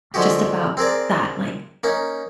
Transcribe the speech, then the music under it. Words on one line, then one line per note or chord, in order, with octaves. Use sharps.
just about that, like
D3 F3 G#3 F#4 G4
C4 G#4 A#4 D5
A#3 C#4 D#4